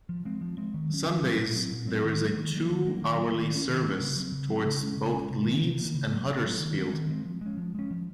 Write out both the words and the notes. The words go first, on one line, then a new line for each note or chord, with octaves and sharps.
Sundays there is a two-hourly service towards both Leeds and Huddersfield.
F3
G#3 C4
F3
G#3 C4
D#3
F#3 C#4
D#3
F#3 C#4
A#2
F#3 C4
A#2
F#3 C4
D#3
F#3 A#3
D#3
F#3 A#3
D#3
F#3 A#3
D#3
F#3 A#3
D#3
A#3
C#4
D#3
A#3 C#4
C#3
F#3 C4
C#3
F#3 C4
C#3
G#3 C#4
C#3
G#3 C#4
C3
D#3 A#3
C3
D#3 A#3
C#3
F#3 A#3
C#3
F#3 A#3
D#3
G#3 C4
D#3
G#3 C4
F3
G#3 C#4
F3
G#3 C#4
F3